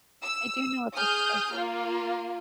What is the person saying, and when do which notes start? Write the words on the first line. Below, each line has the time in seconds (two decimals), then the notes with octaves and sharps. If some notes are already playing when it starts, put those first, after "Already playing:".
I do know what those look like.
0.23 E6
0.94 G#4 D#6 F6 G6
1.52 A#3 F4